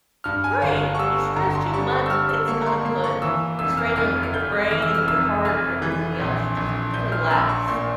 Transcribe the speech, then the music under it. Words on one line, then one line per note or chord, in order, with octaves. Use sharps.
right! You stress too much, it's gonna put a strain on your brain, and your heart, and everything else, you just need to relax.
G2 F6
G#5
G1 F5
C#6
G3 E6
G1 A#5
C6
G3 C#6
C#6
E6
G3 F6
E6
A#3 C#6
A#5
C6
A#3 C6
C#6
E3 E6
F1 E6
F6
F1 F6
F6
F1 G6
E3 F6
E6
F6
F1 E6
F1 F6
E3
A#1
A#1
A#1 G6
F6
A#1 E6
C#6
A#2 C6